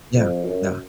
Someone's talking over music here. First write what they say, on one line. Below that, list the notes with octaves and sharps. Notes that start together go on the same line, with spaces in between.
Yeah, yeah.
F2
F#2